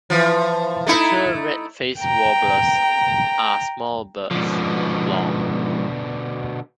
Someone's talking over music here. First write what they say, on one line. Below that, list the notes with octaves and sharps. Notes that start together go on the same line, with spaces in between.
Mature red-faced warblers are small birds, long.
E3 F3
A3 D#4 E4
G5 A#5
G#2 B2 D3 F3